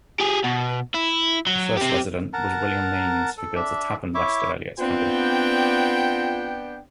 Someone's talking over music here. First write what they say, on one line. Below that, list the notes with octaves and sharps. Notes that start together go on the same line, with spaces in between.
The first resident was William Means, who built a tavern west of Elliot's cabin.
G4 G#4
B2
E4
F#3
C4 G4
A#4 F#5 A5 A#5
A4
D4 E5
E4 C#5 E5 D6
B3 C4 D4 F4 G5